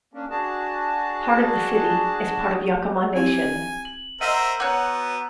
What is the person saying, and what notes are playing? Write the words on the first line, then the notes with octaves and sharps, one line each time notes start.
Part of the city is part of the Yakama Nation.
A#3 C#4 D4
D4 F#4 G#4 A5
C4 E4 G4 G#5
F#7
A#4 C5 D#5 E5 F#5 E6 C7 D#7
B3 F#4 C#5 A#5 F#6 G6